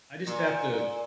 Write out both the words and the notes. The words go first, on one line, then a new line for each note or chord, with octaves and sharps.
I just have to
A#2